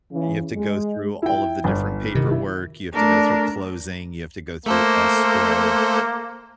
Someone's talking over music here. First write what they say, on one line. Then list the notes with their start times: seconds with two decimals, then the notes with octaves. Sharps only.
You have to go through all of the different paperwork, you have to go through closing, you have to go through escrow
0.12 C#3 E3
0.55 G#3
1.22 E4 G5
1.64 G1
2.15 C3 D#3
2.31 E4
2.93 A3 D4 A#4
4.66 A3 A#3 A4 C5